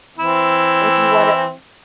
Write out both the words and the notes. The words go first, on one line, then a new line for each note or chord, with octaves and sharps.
if you want a
E3 C4 E4